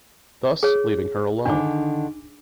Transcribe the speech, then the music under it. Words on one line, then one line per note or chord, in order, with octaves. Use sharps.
Thus leaving her alone.
G#4 C#5
D3 D#3 D4 D6